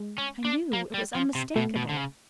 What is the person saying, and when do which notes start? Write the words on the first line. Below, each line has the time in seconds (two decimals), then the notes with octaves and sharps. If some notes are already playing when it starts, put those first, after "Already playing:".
I knew; it was unmistakable.
Already playing: G#3
0.18 C#4
0.45 D4
0.73 A#3
0.94 G3
1.15 F3
1.35 C3
1.56 B2 A3
1.76 B2
1.89 D3
1.97 C#3